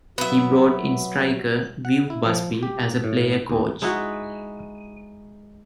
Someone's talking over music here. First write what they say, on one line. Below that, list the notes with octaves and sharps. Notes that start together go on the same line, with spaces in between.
He brought in striker Viv Busby as a player-coach.
F#3 B3 E5
F#5
E4
F3
G4
A2
D#2
G#3 D#4 E4 F#4